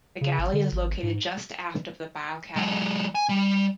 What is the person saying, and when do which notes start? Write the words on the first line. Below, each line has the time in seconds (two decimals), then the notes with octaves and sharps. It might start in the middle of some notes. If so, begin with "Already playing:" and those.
The galley is located just aft of the bow cabin.
0.21 C#3
0.39 G#1
0.53 D3
0.72 G#1
1.03 G#2
2.56 F#3 G#3
3.15 G#5
3.29 G3